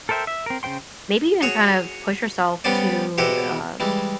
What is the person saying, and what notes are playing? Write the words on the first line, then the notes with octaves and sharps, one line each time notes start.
maybe even kind of push yourself to, um,
A4 A#4 C5 E5 G5
E5
C4 A#4
C#3 G3 C5 G5 C6
F#4 G#4 C#5
G3 B3 C#4 C5 D5
E2 B2 E4 F#4 G4 C5
E3 G3 G#3